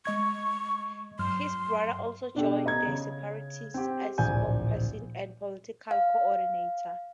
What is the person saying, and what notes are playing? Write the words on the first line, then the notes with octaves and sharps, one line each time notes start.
His brother also joined the separatists as spokesperson and political coordinator.
G#3 D#5 C#6 G#6
G2 F#3 C6 F6
B2 D4 G4 A4
B3 D#5 A#5 G#6
C#3
C4 G4
D1 A#1 D5 G#5 G6
F5